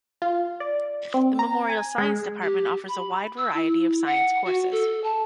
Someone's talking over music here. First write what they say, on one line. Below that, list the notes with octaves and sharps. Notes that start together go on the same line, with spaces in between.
The Memorial Science Department offers a wide variety of science courses.
F4
D5
C4
A#5
G#5
G#3
G4
B5
E6
E4
F#5
F#4
A4
A5